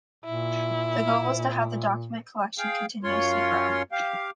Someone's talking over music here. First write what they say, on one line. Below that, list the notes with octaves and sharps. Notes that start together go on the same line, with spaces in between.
The goal was to have the document collection continuously grow.
A#2 E4
G#4 F5 G5
F#2 C#4 F4 C#5 C6
G4 F5